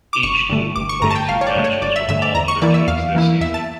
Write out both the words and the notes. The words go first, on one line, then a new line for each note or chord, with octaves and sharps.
Each team will play two matches with all other teams this season.
D6
G1 C#6
G2 D3 A3
G1 D6
C#6
G2 D3 A3 A#5
A5
G5
G1 F5
C#5
D5
G2 D3 A3
C#5
G1 D5
E5
G2 D3 A3 E5
D5
E2 A#5
C#6
E3 A#3 E4 D5
E5
E2 F5
E3 A#3 E4
E2 E5
A5